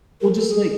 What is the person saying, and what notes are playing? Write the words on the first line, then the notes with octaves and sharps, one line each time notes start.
Well, just like
A#4
A4
G#4